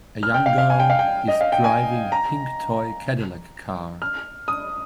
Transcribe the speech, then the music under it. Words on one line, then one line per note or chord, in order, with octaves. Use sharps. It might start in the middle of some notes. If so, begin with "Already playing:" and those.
A young girl is driving a pink toy Cadillac car.
F6
G5
F5
F5
G#5
G5
F5
G5
D#5
F5
G5
G#5
A#5
F6
D#6